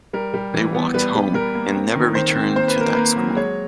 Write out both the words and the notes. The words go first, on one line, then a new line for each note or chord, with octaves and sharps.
They walked home, and never returned to that school.
G3 A#4
G3
E3
B3
G3 B4
G3
G3 A#4
A#3
C4
D#3
D#3 C5
C4
A#3 C5
B4
A#3
A#4
A#3 B4
F#3
G#3 C#5